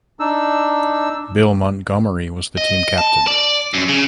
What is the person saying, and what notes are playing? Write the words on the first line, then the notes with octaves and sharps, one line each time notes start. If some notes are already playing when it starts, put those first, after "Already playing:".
Bill Montgomery was the team captain.
D4 D#4 E6
D#5
A5
D5
F#2
C#3